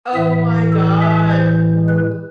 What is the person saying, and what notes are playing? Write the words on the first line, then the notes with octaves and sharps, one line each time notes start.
Oh, my gosh, no.
A2 E3 E5
A4
E5
C5
B4